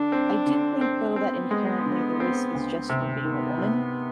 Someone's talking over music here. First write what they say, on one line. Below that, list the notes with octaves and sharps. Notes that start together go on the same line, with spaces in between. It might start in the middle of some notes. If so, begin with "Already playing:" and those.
I do think though that inherently the risk is just from being a woman,
Already playing: D3 D4
C4
D3
C4
B3 C4
G#3
D3
C4
D2
C3
D#3 B3
C3